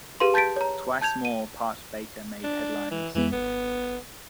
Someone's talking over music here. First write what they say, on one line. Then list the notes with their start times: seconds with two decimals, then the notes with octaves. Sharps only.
Twice more Part Baker made headlines.
0.20 G4 G#4 B4 F5 C6
0.34 A5 G6 A6 B6 D7
0.56 C#5 A#5
1.01 A5 G6 G#6 F7
1.25 D#7
2.44 D4
2.91 E3
3.15 F2 E3 G#3 B3
3.32 G#1 B3